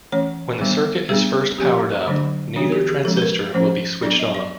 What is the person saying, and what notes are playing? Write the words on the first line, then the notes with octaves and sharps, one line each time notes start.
When the circuit is first powered up, neither transistor will be switched on.
E3 A3 C#4 C#5
D#3 G3 B3 D4
G3 B3 D4 G#4
F3 A#3 C#4 G4
D3 F#3 A3 D4
E3 G3 B3 D4 F#4
G4
G#4
F3 G#3 C#4 A4
B4
A#4
F3 A3 C#4 C5
F#3 B3 D4 D5
D#5
D5